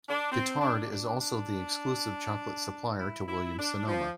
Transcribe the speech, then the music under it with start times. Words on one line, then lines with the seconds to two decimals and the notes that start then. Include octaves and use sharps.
Guittard is also the exclusive chocolate supplier to Williams-Sonoma.
0.09 D4
0.32 C4
0.61 D4
0.91 D4
1.20 D4
2.99 E4
3.28 E4
3.58 D4
3.88 F3